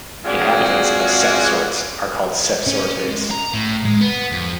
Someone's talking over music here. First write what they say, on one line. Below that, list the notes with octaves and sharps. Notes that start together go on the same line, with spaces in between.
Inhabitants of Sept-Sorts are called "Septsortais".
G#3 C4 D4 F4 F#4 G#4
C#4
G#3
A#5
A2
G#3
B3
F2